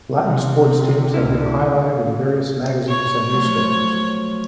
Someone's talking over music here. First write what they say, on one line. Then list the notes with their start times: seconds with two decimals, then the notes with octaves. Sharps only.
Latin sports teams have been highlighted in various magazines and newspapers.
0.20 C3
1.14 C#2 D3 C#4 E4
2.89 C#5
3.30 F3 F#3 A3